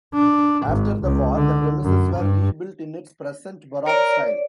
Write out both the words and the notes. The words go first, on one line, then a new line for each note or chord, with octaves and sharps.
After the war the premises were rebuilt in its present Baroque style.
D4
G#1
C#2
D3
F#2
G2
A#4 C#5 D5